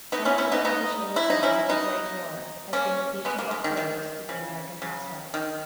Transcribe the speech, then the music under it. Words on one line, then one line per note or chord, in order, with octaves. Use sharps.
One of the beneficial results of the Great War has been the teaching of thrift to the American housewife.
B3 D#4
C#4 E4
C#4 E4
B3 D#4
B3 D#4
E4
D#4
C#4 E4
B3 D#4
A#3 C#4
G#3 B3
A#3
G#3
D#3
D#3
C#3
C#3
D#3